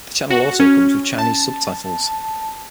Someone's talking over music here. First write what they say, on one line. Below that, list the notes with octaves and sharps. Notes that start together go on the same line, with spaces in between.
The channel also comes with Chinese subtitles.
F#4
C#4
A5